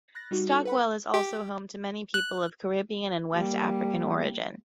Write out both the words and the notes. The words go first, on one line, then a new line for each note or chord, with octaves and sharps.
Stockwell is also home to many people of Caribbean and West African origin.
B5 F#6 A6 A#6
G3 D#4 F#4
D#4 F#4 A4
B4 F#5 B5
G4
F#6
G3 A#3